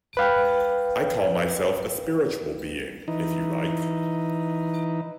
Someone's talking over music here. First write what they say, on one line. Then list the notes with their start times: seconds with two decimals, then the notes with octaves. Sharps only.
I call myself a spiritual being, if you like.
0.17 B4 F5 G5
3.08 E3 D#4